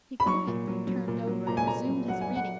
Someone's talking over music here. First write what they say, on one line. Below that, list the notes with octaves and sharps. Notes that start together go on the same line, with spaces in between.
He quietly turned over, and resumed his reading.
B5
F#3 C#6
A#2
F#3
F#3
A#2
F#3
A#2 A#5
G#5
A#2 A#5
F#3
F#3 F#5
G#5
F#3
F#5